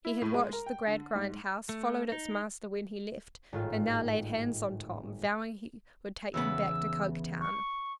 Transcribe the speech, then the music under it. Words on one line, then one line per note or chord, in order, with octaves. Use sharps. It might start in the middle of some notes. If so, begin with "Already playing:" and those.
He had watched the Gradgrind house, followed its master when he left and now laid hands on Tom, vowing he would take him back to Coketown.
E4
A2
G#3
A#4
G5
D3
G#2
A3
D#4
G#1 A2 F4
E2 C#3 B3 E6
C#6